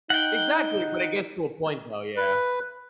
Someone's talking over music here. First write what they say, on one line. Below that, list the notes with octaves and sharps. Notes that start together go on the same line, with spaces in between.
Exactly, but it gets to a point though, yeah.
D#4 F#5 G5
B4